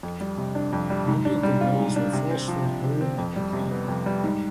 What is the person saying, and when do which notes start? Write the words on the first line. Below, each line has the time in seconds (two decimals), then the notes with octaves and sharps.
Many of the girls were force-fed heroin or cocaine.
0.03 F2
0.21 G3
0.38 C3
0.55 D4
0.73 F2
0.90 G3
1.08 G#2
1.25 D4
1.43 G3
1.61 F4
1.79 G#2
1.96 D4
2.13 C3
2.31 C4
2.48 F3
2.66 C3
2.84 C3
3.01 C4
3.18 F2
3.36 G3
3.53 C3
3.71 B3
3.88 F2
4.06 G3
4.24 G#2